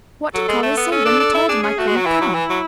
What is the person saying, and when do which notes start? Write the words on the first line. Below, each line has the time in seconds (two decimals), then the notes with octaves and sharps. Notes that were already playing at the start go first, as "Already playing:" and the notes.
"What did Colin say when you told him I couldn't come?"
0.34 F#3 A4
0.48 G#3
0.63 A3
0.78 B3
0.92 C#4 A4
1.06 D4
1.20 D4
1.34 E4
1.49 D4 G#4
1.63 C#4
1.78 A3 F#4
1.87 G#3
1.97 F#3
2.06 E3 E4
2.21 F#3
2.35 E3 E4
2.50 F#3